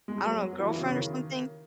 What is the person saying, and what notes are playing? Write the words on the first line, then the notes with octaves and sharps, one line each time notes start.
I don't know, girlfriend or something?
G#3
F#3
F#3
E3
C#3
D#3